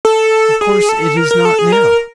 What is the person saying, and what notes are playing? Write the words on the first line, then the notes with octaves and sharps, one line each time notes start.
Of course it is not now!
A4
G#4
A4
A#4
A#4
A4
G#4
A#4